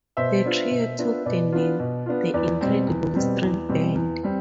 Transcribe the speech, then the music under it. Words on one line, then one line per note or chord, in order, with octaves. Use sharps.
The trio took the name "the Incredible String Band".
B2 C5 E5
B3 D4 F4
B2
B3 D4 F4
B2 B4 D5
B3 D4 F4
B2
B3 D4 F4
E2 B4 D5
B2 G3 C4
E2
B2 G3 C4
E2
B2 G3 C4
E2
G3 C4